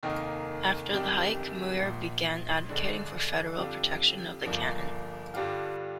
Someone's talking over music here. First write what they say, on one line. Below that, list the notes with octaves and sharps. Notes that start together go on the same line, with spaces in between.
After the hike, Muir began advocating for federal protection of the canyon.
F1 D#2 D#3 A#3 D#4
G1 F2 D#3 G3 D4
A#1 A#2 F3
G1 G2 D3 G#3 D4
F2 D3 G3 D4 F4
G1 G2 F3 A#3 D4
G2 D3 G3 D4 F4